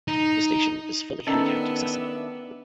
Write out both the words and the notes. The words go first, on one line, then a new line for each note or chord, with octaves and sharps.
The station is fully handicapped accessible.
D#4
D#3 B3 C#4 D4 A4 E5 A#5